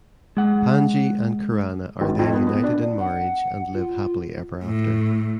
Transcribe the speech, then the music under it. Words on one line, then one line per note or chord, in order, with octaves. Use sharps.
Panji and Kirana are then united in marriage and live happily ever after.
G#3 F#5
G#1
F2
B3
B3
D4
F#5
F4
A2